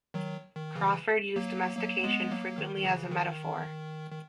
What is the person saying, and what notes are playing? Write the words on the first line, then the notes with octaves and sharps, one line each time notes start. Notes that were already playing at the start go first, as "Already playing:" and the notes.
Crawfurd used domestication frequently as a metaphor.
D#3 F#3
D#3
C#3 E3
F#3 A#3
F#3 A#3
G#3 B3
F#3 A#3
D#3
D#3
C#3 E3
D#3
D#3